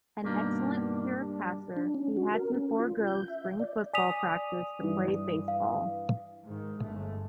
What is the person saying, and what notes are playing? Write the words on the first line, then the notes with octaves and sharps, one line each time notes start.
An excellent pure passer, he had to forego spring football practice to play baseball.
G2 B2 D#3 A#3 D4
G3 D4
D4
C#4
F#4
A#4
C#4
F4
G6
E5
D5
D5 G#5 D#6 B6 F7
G2 E3
F5
G#2 D#3
G1 G#3 A3